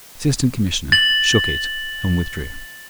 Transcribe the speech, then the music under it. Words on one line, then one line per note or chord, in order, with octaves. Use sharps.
The Assistant Commissioner shook it, and withdrew.
A6 F#7